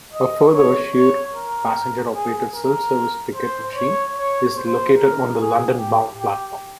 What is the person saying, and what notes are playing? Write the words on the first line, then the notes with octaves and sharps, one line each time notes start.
A further Shere passenger-operated self-service ticket machine is located on the London-bound platform.
D#5
C#5
C#5
A#4
G#4
A#4
C5
C#5
C#5
C5
A#4
G#4
G4
G4